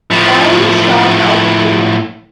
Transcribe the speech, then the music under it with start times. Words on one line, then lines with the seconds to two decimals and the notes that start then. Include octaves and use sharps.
Downing stalked out of the room.
0.10 A2 F3